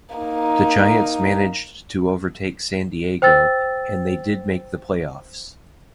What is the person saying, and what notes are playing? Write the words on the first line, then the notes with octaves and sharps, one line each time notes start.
The Giants managed to overtake San Diego, and they did make the playoffs.
A#3 D#4
C5 G5 E6 A6